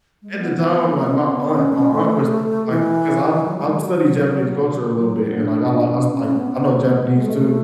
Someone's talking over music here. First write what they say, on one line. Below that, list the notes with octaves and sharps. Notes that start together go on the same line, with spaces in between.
at the time, like, my aunt my aunt was, like 'cause I I studied Japanese culture a little bit, and like I li I like I know Japanese too,
G#3
A3
B3
B3
B3
A3
B3
C#4
B3
C#4
B3
C#4
C#4
A3
E3
F#3
G#3
F#3
F#3
F#3
F#3
D4
C#4
C#4
B3
G#3
A3